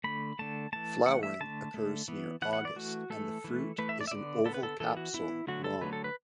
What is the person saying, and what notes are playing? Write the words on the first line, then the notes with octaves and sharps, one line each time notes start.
Flowering occurs near August and the fruit is an oval capsule long.
D3 A3 B5
D3 A3 A5
E3 A3 A5
E3 A3 F#5
E5
D3 A3 A5
D3 A3
E3 B3
E3 B3 F#5
F#5
D5
E3 A3 F#4
E3 A3 A4
E3 A3
E3 A3 B4
E5
D5
E5
D3 B3 D5
D3 B3 A4
B4
A4
E3 B3 A4
F#4
E3 B3 E4
D3 F#3 A3 F#4
A4
D3 F#3 A3 B4
A4
B4